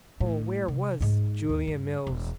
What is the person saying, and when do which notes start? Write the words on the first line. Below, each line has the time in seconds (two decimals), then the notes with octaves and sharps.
Oh, where was Julia Mills!
0.20 A2
0.68 C3
1.01 G#2 D#4
1.49 D#2
1.68 G2
2.07 E1